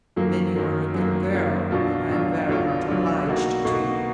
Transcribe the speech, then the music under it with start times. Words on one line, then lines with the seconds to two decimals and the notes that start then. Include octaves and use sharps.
"Then you are a good girl, and I am very much obliged to you."
0.16 F#2 D#3 F#3 A#3
0.56 F#2 D#3 F#3 A#3
0.94 F#2 D#3 F#3 A#3
1.33 F#2 D#3 F#3 A#3
1.71 B1 B2 F#3 D4 F4
2.10 B1 B2 F#3 D4 F4
2.49 B1 B2 F#3 D4 F4
2.87 B1 B2 F#3 D4 F4
3.27 B2 A#3 D#4 F#4
3.65 B2 A#3 D#4 F#4